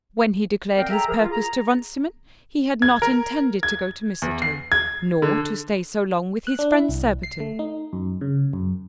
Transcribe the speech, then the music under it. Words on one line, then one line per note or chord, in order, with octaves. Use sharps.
When he declared his purpose to Runciman, he had not intended to go to Mistletoe, nor to stay so long with his friend Surbiton.
B3 C4 A#4 D5 F5 G5
G#4 A4 E5 G5 G#5 A#5
F3 G#4 A#4
F4
G#4 A#5
G#6
A#4
G#6
E2
C7
G#6
D3
F#6
D4
E4
C2
C7
A3
D#4
F#2
C#3
F#2